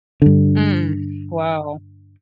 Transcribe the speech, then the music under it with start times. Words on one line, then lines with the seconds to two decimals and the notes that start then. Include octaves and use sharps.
Mm, wow.
0.22 G2 D3